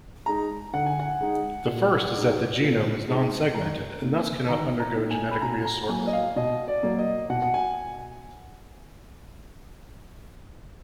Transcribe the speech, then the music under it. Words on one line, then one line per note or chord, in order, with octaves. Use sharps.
The first is that the genome is non-segmented and thus cannot undergo genetic reassortment.
G#3 D#4 A#5
D3 F#5
G#5
F#5
G#3 D#4
A#2
G#3 D#4
A#2
G#3 D#4
D#3 A#5
A#3 D#4
D#3 A#5
A#5
A#3 D#4
G#5
B5
B2 A#5
A#5
F#3 A#3 G#5
D#5
F5
B2 D#5
D5
F#3 A#3
D#5
B2 F#5
F#5
G#5